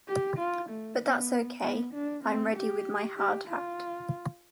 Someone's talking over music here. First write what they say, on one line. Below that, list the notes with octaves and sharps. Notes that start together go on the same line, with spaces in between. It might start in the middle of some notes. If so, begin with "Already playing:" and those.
But that's okay-I'm ready with my hard hat.
G4
F4
A3
B3
B3
D4
C4
G4
G4
F4